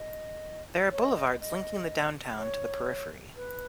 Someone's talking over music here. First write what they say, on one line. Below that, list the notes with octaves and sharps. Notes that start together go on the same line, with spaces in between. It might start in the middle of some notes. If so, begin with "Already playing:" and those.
There are boulevards linking the downtown to the periphery.
Already playing: D#5
C#5
D#5
D#5
D#5
D#5
C#5
B4